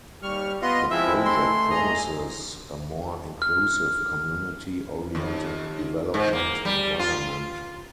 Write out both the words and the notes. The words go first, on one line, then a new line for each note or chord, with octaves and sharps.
The project promises a more inclusive, community-oriented development environment.
D#2 G3 C#6 F6
B3 F4 D#5 C6
F3 G#3 C4 E4 E5
A3 C6
G#4 D#5 A#5
F6
D#2
G#2
A#3
G3
F4